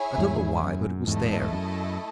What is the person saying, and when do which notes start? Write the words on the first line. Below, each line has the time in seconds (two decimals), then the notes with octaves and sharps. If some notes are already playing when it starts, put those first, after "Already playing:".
I don't know why, but it was there.
Already playing: E4 G#4 C#5 E5 G#5
0.18 E2 G#2
0.63 F#2
1.07 E2 G#2 A3 E4 A4 D#5 A5
1.53 F#2